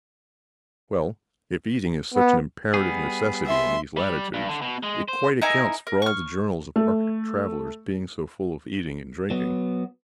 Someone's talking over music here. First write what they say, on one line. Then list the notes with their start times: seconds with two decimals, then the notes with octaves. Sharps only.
"Well, if eating is such an imperative necessity in these latitudes, it quite accounts for all the journals of Arctic travellers being so full of eating and drinking."
2.14 B3
2.74 G3 B3 G#4
3.46 E5 C6
3.97 G3
4.34 G2
4.49 D3
4.62 B2
4.83 G#3
5.08 C5
5.42 D#4 E4 A#4 G#5
5.87 A#4
6.02 C#6 F6
6.76 A3
9.30 F#3 B3